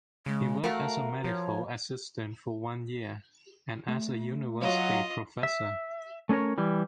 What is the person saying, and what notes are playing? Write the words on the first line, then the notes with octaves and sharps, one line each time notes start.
He worked as a medical assistant for one year and as a university professor.
C#3 G#3
A3 F#4 A#4 F5
F3 C#5
A3
F#3 F4 D#5 F5
E5
A3 C#4 D4 A#4 C#5
E3 G3